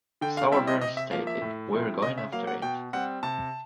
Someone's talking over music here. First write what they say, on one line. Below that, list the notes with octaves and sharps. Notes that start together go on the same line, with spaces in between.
Sauerbrun stated, We're going after it.
D3 G5
F5
G3 C4 E4 E5
D#5
C3 D#5
E5
F3 A#3 F5
E5
A2
F3 A3 C4 E4
C#3 D#5
E5
F#3 A#3 F5
F#5
B2 G5
G3 C4 F#5
C3 A5